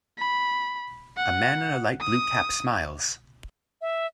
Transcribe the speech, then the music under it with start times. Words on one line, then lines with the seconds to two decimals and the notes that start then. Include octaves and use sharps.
A man in a light blue cap smiles.
0.18 B5
1.17 F#5
2.01 D#6
3.81 E5